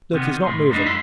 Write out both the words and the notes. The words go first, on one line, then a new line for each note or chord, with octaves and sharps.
'Look, he's not moving.
C3 D#3 B3
C#2 A2 C6
G3 G#3 A#3 C4 D4 D#4
F#2 E4 B5 C6